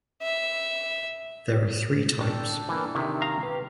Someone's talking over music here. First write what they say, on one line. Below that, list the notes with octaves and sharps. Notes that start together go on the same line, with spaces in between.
There are three types.
E5
D4 A4 G5
E3 A#3
C3 D#3 E4
F5 A#5
G4 B4